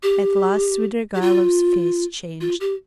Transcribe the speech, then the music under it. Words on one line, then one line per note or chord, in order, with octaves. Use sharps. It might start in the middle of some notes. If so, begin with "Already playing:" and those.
At last Svidrigailov's face changed.
G4
G4
F4
F4
G4